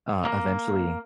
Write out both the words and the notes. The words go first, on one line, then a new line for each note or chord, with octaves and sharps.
uh, eventually,
A#3